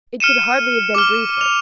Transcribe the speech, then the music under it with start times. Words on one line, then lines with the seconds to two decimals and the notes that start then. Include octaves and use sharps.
It could hardly have been briefer.
0.20 F6 C#7 D#7 E7
0.95 D6 F6
1.41 F7